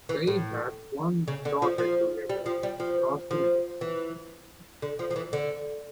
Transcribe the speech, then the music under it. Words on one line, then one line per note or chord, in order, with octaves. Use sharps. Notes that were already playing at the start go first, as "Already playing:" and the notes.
They had one daughter together, Rosines.
E3
A2
C#3
D3
F3
F3
G3
F3
G3
F3
F3
E3
D3
F3
F3
E3
D3